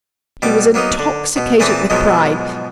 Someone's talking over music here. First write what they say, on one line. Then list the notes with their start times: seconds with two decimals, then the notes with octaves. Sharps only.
He was intoxicated with pride.
0.42 B2 G3 D6
0.74 F#3 A#3 B3 D#4
0.99 D3
1.36 B2
1.60 A#2 E3 C4 G#4 A5 D6
1.90 G#2 B2 F3 F#3 G#3